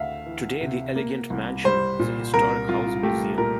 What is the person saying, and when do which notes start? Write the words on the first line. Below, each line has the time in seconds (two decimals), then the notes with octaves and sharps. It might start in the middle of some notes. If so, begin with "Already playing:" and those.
Today the elegant mansion is a historic house museum.
Already playing: D2 A3 E5 F5
0.26 E3
0.61 C3
0.96 A#3
1.30 C2
1.64 G3 C5
1.99 A#2
2.34 C2 A#4
2.69 C2 F4
3.03 A3 G4
3.38 A#2 A#4